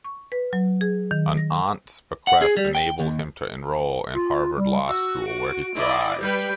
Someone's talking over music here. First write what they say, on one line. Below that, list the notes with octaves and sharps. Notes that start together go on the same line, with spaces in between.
An aunt's bequest enabled him to enroll in Harvard Law School, where he thrived.
C#6
B4
F#3
G#4
D#3
A#6
F#5
G#4
G3
G5
D#2
F4
G3
F#4 E6
D7
E4 D5 D#5
G3 B4 G5 G6